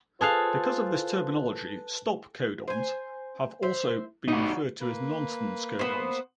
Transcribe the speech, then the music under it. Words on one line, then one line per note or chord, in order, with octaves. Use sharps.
Because of this terminology, stop codons have also been referred to as nonsense codons.
F4 G#4 A4 B4 C5 F5 A5 F#6
C5 G#5
C5 E5
G3 D#4 F#4
A#3 B4
B3 C5